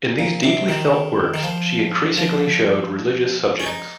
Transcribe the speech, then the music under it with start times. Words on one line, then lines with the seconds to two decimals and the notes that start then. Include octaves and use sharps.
In these deeply felt works she increasingly showed religious subjects.
0.19 A#2
0.43 C3
0.69 D#3
1.34 D#3
1.43 F3
2.17 F3
3.59 C#4
3.66 D#4